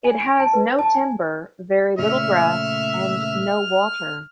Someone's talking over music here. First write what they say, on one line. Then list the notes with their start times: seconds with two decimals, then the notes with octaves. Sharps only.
It has no timber, very little grass, and no water.
0.04 G#5
0.20 D7
0.40 A5
0.53 B4
0.79 A5
0.95 G#5
1.99 A#2 C#3 A3 E5 F6